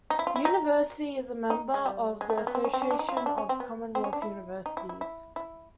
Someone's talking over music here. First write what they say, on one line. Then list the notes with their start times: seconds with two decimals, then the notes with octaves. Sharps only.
The university is a member of the Association of Commonwealth Universities.
0.10 D#4
0.19 E4
0.27 F4
0.36 E4
0.45 D#4
1.50 D#4
1.74 G#3
1.86 G3
2.21 G#3
2.30 A3
2.38 A#3
2.47 B3
2.55 C4
2.64 C#4
2.74 C4
2.82 C#4
2.91 D4
2.99 D#4
3.09 F4
3.17 E4
3.26 D4
3.38 C#4
3.49 C4
3.60 B3
3.95 C4
4.04 C#4
4.13 D4
4.22 E4
4.66 D#4
4.77 E4
4.89 E4
5.01 E4
5.36 E4